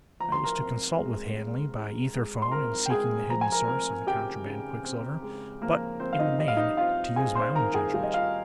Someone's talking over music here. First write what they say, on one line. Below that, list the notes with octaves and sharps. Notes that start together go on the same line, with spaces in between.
I was to consult with Hanley by ether-phone in seeking the hidden source of the contraband quicksilver, but, in the main, to use my own judgment.
F3 A#5
C6
A#4 A#5
C4
G#3
G#3
G#3
G#3
C6
C4 A#4 A#5
G5
G#3 G#4 G#5
F3 A#5
G#5
A#4 A#5
C4 A#4 A#5
C#3 G4 G5
C#3
C4
G#3
F3 A#3 A#4
F3 C4 C5
F5
D#4 D#5
G2 D#5
F5
D#4 D#5
C4 F4 F5
C4 G#4 G#5
C5 C6
D#3 A#4 A#5
G#4 G#5
G3 F5
D#5
F4 F5